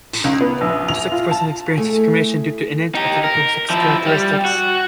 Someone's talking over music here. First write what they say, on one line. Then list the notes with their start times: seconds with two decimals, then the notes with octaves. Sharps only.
Intersex persons experience discrimination due to innate, atypical sex characteristics.
0.24 C#2
0.41 B3
0.61 A#1
0.88 F7
1.12 F4
1.31 A5
1.77 A3 E4 G#4
2.95 D#4 G4
3.24 A#4
3.70 F3 E4
4.06 G3
4.45 F#4